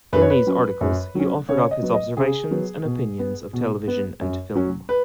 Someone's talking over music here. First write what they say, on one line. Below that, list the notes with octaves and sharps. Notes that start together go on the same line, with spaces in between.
In these articles he offered up his observations and opinions of television and film.
F#2 B4
C#5
B4
F#3 C#4
F#2
F#3 C#4
C#3 C#5
D#5
F#3 B3
D#5
C#3 G#4
F#3 B3
B2
B3
B2
B3
F#2
F#3 C#4
B4